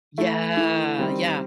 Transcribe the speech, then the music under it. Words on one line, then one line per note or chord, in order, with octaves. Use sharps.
Yeah, yeah.
E3 A3 E4
E3 A3 E4
D#3 G3 C4